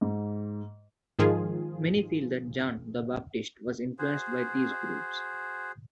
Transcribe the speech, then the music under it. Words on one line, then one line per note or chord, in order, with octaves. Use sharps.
Many feel that John the Baptist was influenced by these groups.
G#2
G#2 D#3 F3 F4 G#4
F#4 G#4 C5